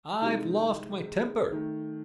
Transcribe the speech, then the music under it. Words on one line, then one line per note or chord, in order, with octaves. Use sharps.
I've lost my temper.
C3 E3 G#3 D#4
D#3 A3